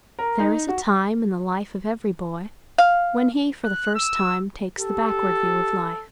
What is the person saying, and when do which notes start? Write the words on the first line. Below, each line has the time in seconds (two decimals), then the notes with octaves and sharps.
There is a time in the life of every boy when he for the first time takes the backward view of life.
0.19 A#4
0.40 D#4
0.69 F#4
2.78 F5
3.64 F#6
3.95 E6
4.79 G4 A4